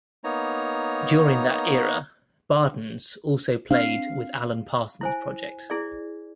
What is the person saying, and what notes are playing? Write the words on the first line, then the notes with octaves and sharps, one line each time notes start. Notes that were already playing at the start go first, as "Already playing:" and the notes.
During that era, Bardns also played with Alan Parsons Project.
A#3 B3 D#4 C#5 A#5
C4 D4 F5
E4 C5 G#5
E4 G#4 D5